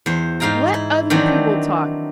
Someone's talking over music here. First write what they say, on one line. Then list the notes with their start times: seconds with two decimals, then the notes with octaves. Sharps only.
Let other people talk.
0.06 E2 C5
0.40 G#2 D#4 F5 G5 A#5
0.74 E4
1.10 D#3 E3 F#3 C4 D4